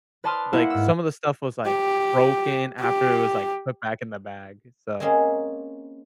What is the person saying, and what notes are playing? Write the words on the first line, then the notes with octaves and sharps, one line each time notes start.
like, some of the stuff was, like, broken after it was, like, put back in the bag, eh, so,
B4 D5 A5 C6 D#6 F6
A#3 E4 F#5
G#2 E6
G4
G4
G#3 A#3 C4 C#4 G#4